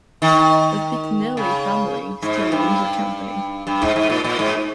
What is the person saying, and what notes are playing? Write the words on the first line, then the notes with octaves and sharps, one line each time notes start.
The Picknelly family still owns the company.
D#3
C#3
G#2
G2
G2
G#2
G#2
A#2
A#2
G#2